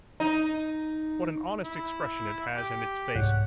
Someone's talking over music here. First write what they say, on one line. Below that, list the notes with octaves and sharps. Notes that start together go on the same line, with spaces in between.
What an honest expression it has in its face!
D#4
E4
G4
C2 G#2 C#5 F#5